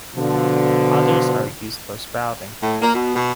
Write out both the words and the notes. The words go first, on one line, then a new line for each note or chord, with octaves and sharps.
Others are used for sprouting.
B2 D3 F3
A2
A#3
B2
B2